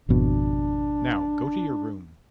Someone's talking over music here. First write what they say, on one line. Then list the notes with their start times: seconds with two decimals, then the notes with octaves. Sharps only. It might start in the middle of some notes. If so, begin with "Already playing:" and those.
Now, go to your room.
0.09 G#1 F2 B2 D4